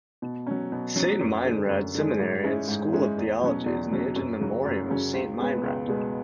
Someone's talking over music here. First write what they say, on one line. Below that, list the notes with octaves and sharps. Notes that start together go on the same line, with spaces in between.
Saint Meinrad Seminary and School of Theology is named in memoriam of Saint Meinrad.
B2
F#3 C#4
B2
F#3 C#4
F#2
D3 G#3
F#2
D3 G#3
G#2
G#3 C#4 E4
G#2
G#3 C#4 E4
E2
B2 F#3 C#4
E2
B2 F#3 C#4
F#2
C#3 F#3 C#4
F#2
C#3 F#3 C#4
C#2
B2 G#3 B3
C#2
B2 G#3 B3